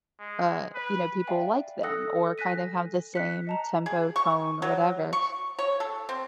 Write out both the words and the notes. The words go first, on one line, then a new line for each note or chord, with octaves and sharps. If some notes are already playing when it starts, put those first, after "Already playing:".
uh, you know, people like them or kind of have the same tempo, tone, or whatever,
G#3
B4
D5 E5 F5 G5 G#5
A4 D#6 E6 F#6 A#6 C#7
G#5 F#6 A#6 B6 D#7
F#6 B6 C#7
D#5 A5 A#5
G#4
C#6
F#3
C#6
C#5
A4
C4